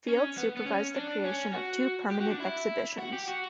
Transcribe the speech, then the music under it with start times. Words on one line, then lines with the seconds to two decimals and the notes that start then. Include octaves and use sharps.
Field supervised the creation of two permanent exhibitions.
0.08 C#4
0.37 B3
0.57 B3
0.66 C#4
0.96 D4
1.25 C#4
1.53 F#4
2.11 G4
2.21 F#4
2.30 D4
2.40 E4
2.98 F#4
3.13 G4
3.28 F#4